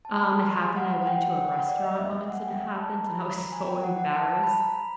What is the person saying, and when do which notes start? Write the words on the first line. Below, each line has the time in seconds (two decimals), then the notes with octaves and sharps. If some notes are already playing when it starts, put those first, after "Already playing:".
Um, it happened I went into a restaurant once, and it happened, and I was so embarrassed.
0.05 A5
0.15 A#5
0.30 C6
0.46 B5
0.62 G#5
0.77 F#5
1.02 F#5
1.07 G5
1.38 F#5
1.48 G5
1.53 F#5
1.68 D5
1.83 D#5
1.99 E5
2.15 E5
2.29 F#5
2.38 G#5
2.45 G5
2.61 G#5
2.75 A5
2.91 A#5
3.07 B5
3.21 B5
3.37 A#5
3.52 G#5
3.67 G5
3.83 F#5
3.99 F#5
4.13 A5
4.28 A5
4.44 B5
4.60 A#5
4.75 B5